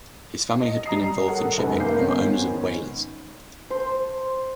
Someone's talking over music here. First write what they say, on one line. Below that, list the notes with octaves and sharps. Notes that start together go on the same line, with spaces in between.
His family had been involved in shipping and were owners of whalers.
D#5
G3 A#5 D#6 C7
A4 A#4 C#5 F#5
F1 F#2 G#3 B4 G#5
G2 A#3 G6 C7
G#2 D#3 B3 C#4
C5